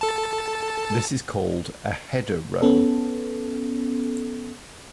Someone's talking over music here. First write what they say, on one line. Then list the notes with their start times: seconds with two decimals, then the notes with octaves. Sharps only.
This is called a "header row".
0.01 A4 A5
2.62 B3 C#4 A4